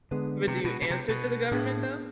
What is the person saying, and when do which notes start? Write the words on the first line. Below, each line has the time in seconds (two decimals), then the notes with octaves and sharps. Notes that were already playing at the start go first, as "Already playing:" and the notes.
But do you answer to the government though?
0.11 D3 G#3 B3 D4 G#4 B4
0.47 C3
0.64 B2
0.82 B2
0.90 C3
1.09 B2
1.51 A2 B3 D4 G#4